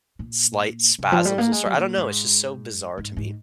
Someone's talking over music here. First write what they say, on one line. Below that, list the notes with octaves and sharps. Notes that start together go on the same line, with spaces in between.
slight spasms will start, I don't know, it's just so bizarre to me.
A#2
C3
F3
G3
A#3
G#3
G3
A#2
G#2
G#2
G#2